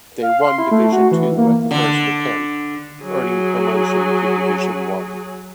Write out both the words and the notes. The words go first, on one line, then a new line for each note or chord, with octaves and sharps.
They won Division Two at the first attempt, earning promotion to Division One.
F5
C6
E4
A3
F#4
E3
A#3
D3
F#3 G#4